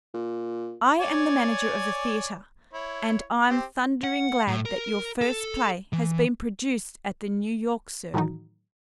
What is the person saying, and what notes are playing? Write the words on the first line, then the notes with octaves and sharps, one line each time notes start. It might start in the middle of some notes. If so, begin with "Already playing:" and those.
I am the manager of the theatre, and I'm thundering glad that your first play has been produced at the 'New York,' sir.
A#2
C#5 D5 G#5
E4 C#5
C4 G4
F#5
A2
A#4
A4
E3
A2 D#3 E3 F#3 D#4